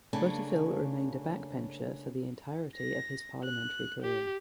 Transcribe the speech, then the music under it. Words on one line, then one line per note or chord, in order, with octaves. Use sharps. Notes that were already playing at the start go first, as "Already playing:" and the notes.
Butterfill remained a backbencher for the entirety of his parliamentary career.
C#3 A3 A#3 C#4 D4
A#6
F#6
G4